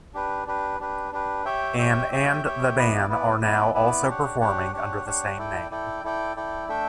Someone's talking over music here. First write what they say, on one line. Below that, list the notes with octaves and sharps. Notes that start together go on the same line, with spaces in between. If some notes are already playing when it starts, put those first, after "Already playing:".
An and the band are now also performing under the same name.
D4 G4 B4
D4 G4 B4
D4 G4 B4
D4 G4 B4
G4 C#5 E5 G5
G4 C#5 E5 G5
G4 C#5 E5 G5
G4 C#5 E5 G5
B3 E4 B4 D5
B3 E4 B4 D5
B3 E4 B4 D5
B3 E4 B4 D5
D4 G4 C#5 F#5
D4 G4 C#5 F#5
D4 G4 C#5 F#5
D4 G4 C#5 F#5
E4 A4 D5 G5
E4 A4 D5 G5
E4 A4 D5 G5
E4 A4 D5 G5
A3 D4 A4 E5 G5